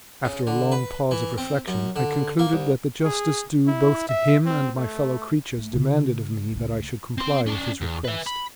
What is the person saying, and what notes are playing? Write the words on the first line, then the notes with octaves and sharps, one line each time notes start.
After a long pause of reflection I concluded that the justice due both to him and my fellow creatures demanded of me that I should comply with his request.
C#3
D3
B4
E3
C4
F#2
D3
A#3
C2
G#4
E4
E5
C4
A3
A3
C#3 F4
C#2 A3
C4 C6
C#4 D5
E2
B4 E5
B5